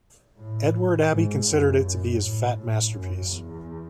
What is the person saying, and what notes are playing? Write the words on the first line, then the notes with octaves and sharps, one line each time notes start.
Edward Abbey considered it to be his fat masterpiece.
A2
G#2
F#2
F#2
A2
A2
F#2
E2